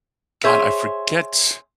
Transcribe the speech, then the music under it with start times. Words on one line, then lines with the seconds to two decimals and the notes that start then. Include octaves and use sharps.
God, I forget
0.44 G#4 C5 C#5 E5